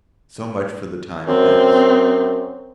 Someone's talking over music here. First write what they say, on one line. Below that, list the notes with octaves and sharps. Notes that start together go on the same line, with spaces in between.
So much for the time past.
F#2 C4